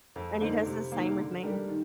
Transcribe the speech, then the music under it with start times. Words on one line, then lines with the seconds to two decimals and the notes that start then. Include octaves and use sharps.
and he does the same with me.
0.16 F2
0.41 D3 F3 A#3 D#4
0.66 C3
0.92 D#3 A#3
1.18 D3
1.43 G3 D4 G4 A#4
1.68 D#3